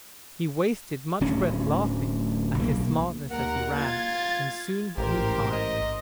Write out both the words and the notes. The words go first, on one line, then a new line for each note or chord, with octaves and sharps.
He wasted much breath laughing at his smartness as he ran, and soon he grew tired.
D1 D2 C#4
B1 F3 A#3
D#2 A#4 F#5
F4 G#6 A6
A1 G#2 G4 A#4 C5
D#5